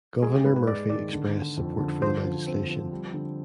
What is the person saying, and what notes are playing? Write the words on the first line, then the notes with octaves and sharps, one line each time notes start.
Governor Murphy expressed support for the legislation.
G#3 G#4
G4
G#2 B4
B4
G#3 D5
D#3 D5
D3
D3
F2
D3
F3 C5
F3
C4
F3
G3
D3